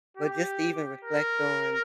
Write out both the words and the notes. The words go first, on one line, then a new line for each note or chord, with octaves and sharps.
But just to even reflect on,
G4
A#4